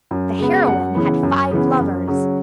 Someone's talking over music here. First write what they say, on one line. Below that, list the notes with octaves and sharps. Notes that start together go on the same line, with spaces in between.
The heroine had five lovers.
F#2
C#3 G#3 B3
F#2 F#5
C#3 E3 B3
F#2
C#3 E3 B3
F#2
C#3 F#3 C#4